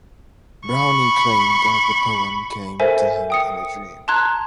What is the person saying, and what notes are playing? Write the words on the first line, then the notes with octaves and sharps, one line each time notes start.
Browning claimed that the poem came to him in a dream.
B5 C#6
A4 A#4 C5 E5 G#5
G5 D#6 C#7
A5 A#5 C6 F#6 G#6